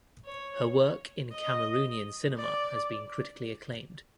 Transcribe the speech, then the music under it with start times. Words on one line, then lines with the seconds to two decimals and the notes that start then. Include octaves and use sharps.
Her work in Cameroonian cinema has been critically acclaimed.
0.26 C#5
1.32 D#5
2.37 D5